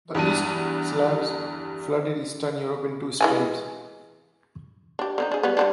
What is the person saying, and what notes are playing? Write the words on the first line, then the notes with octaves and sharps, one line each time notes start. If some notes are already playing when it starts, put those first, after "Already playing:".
The East Slavs flooded Eastern Europe in two streams.
E2 G2 D4 D#7
E3 G#3 G#5
D4 G4
D3 C4 D#4
D4 G#4
G3 G#3 B3
G3 C4 D4